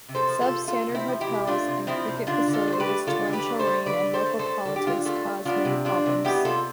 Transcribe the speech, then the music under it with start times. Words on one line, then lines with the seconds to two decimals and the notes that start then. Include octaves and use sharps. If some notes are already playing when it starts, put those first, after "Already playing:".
Substandard hotels and cricket facilities, torrential rain and local politics caused many problems.
0.09 C3
0.15 A4 C5
0.29 F3
0.41 F4 A4
0.48 C3
0.68 A3 F4 A4
0.89 C3
0.94 C4 E4
1.08 F3
1.21 E4 G4
1.28 C3
1.47 A3 D4 F4
1.67 C3
1.87 F3 C4 E4
2.08 C3
2.27 D3 D4 F4
2.48 D3
2.53 F4 A4
2.67 A3 C5
2.80 G4 B4
2.88 A3
3.07 D3 F4 A4
3.27 D3
3.33 G4 B4
3.47 A3
3.59 A4 C5
3.67 A3
3.86 D3 B4 D5
4.06 D3
4.13 A4 C5
4.26 A3
4.39 A4 C5
4.45 A3
4.65 D3 A4
4.76 G4
4.86 D3 F4 A4
5.05 A3 F4 A4
5.26 A3
5.45 B3 D4 F4
5.65 C3
5.85 G3 D4 F4
6.06 C3
6.24 B3 E4 G4
6.45 C3 F4 A4